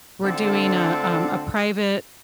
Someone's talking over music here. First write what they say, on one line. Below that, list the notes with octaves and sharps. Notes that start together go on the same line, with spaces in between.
we're doing a um, a private
D3 A3 C4 D4 F4 A4